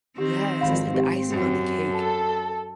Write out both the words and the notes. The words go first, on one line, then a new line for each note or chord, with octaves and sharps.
Yes, it's like the icing on the cake
D#3 C4 G4
G#1 F2 F5 B5
C4 G4
F#2
A4